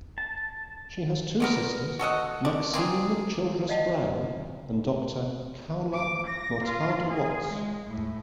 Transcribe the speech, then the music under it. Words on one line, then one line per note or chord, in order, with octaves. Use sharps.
She has two sisters, Maxine Childress Brown and Doctor Khaula Murtadha Watts.
A5
D3 B3 A#4
F#4 A4 D#5 F#5
D4
A#3 C4 D4 G#4
D5 D#5 F5 F#5 A5
D6
A#6
F4
G#4
G#3
A2